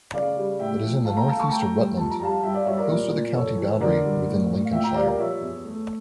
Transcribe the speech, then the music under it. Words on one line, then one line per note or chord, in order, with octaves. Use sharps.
It is in the northeast of Rutland, close to the county boundary with Lincolnshire.
C#3 D5 F5
G3
A2 E5 G5
F3
A3 F5 A5
G5 A#5
A3 F5 A5
A5 C#6
A3 G5 A#5
G2
F2 A5
A#5
G3 F5 A5
G2 E5 G5
D5 F5
G2 C#5 E5
A#4 D5
A#2
A#2
F2 A4 C#5
E3
D3 A#4 D5
G2
A2
A2
F5
A#2 E5 G5
G5 A#5
G3 D5 F5
A#4 D5
F3 C#5 E5
E2
A3